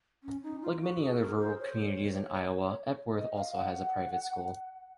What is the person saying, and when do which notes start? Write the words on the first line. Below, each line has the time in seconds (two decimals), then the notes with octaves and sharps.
Like many other rural communities in Iowa, Epworth also has a private school.
0.23 C#4
0.43 D#4
0.62 F4
0.82 F#4
1.01 G#4
1.20 A#4
1.40 C5
1.60 C#5
1.79 C#5
3.15 D#5
3.35 F5
3.54 F#5